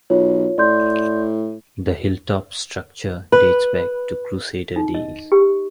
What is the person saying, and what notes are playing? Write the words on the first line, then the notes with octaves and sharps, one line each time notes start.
The hill-top structure dates back to crusader days.
B1 F4 C#5
A2 D5 C6 G6
B4
D#4
D#5
G4